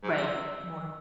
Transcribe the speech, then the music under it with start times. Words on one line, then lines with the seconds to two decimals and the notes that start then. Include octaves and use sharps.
Right. More.
0.03 G#2
0.11 A#2
0.18 C3 E6